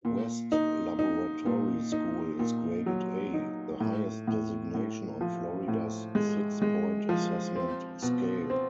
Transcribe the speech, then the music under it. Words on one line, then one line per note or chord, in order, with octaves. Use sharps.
West Laboratory School is graded "A", the highest designation on Florida's six-point assessment scale.
A#2
D#4
D#4
A#2
D#4
A#2
F#3
D#4
A2
A2
A2
F3
A2
G#3
G#3
F3
C4
B2
C4